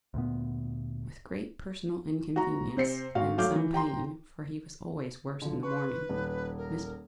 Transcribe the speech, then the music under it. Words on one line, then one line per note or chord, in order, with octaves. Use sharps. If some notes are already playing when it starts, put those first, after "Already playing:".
With great personal inconvenience, and some pain--for he was always worse in the morning--Mr.
D2 A#2 B3
F#4 A#5
C3 C5 C7 C#7
G#1 F#4 F5
F#3 A3 F5 D6 G6
E3
G4 G5 A#5 C6
D3 F3
B4 C6 C#6
D#1
A#4